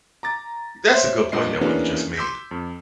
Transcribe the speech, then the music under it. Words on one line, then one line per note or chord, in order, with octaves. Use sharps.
That's a good point that what you just made,
A#5 D6 A6
C5 C#5 E5 C6
G2 A#2 D#5 C7
C#3 E3 A#3 B3 C#4 D4
C6 D6 E6 G6 B6
F2